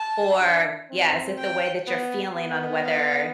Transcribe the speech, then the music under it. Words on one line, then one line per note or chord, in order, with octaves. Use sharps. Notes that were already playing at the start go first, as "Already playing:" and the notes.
or yeah, is it the way that you're feeling on whether
Already playing: A5
D4
C4
G5
B3
B3
F5